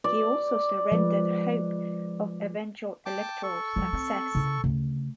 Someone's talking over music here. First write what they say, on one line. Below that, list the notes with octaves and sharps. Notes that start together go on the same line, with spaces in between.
He also surrendered hope of eventual electoral success.
D5
F3 G#3 B4
G5 A5 D6
A4 C#6
F3 G3
C4
C#3 E4
D2 C#3